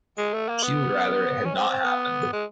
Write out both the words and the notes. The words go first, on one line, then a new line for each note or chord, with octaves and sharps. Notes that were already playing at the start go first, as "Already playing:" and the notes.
She would rather it had not happened.
G#3
A3
A#3
B3
C#4
C4
C4
B3
G#3